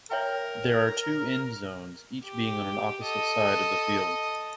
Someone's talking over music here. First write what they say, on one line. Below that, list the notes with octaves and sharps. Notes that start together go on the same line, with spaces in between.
There are two end zones, each being on an opposite side of the field.
A#4 C#5 E5 G5
G4
A4 D#5